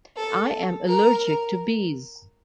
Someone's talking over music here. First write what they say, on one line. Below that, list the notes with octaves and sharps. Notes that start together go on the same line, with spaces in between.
I am allergic to bees.
A4
A#4